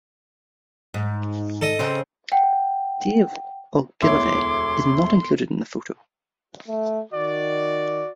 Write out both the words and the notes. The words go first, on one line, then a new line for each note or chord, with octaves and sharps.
Dave Ogilvie is not included in the photo.
G#2
A4 D#5
C#3 C4 C5
F#5 G5
E1 D2 B2 E4 C#5 C6 D6
A3
D#3 F#4 D5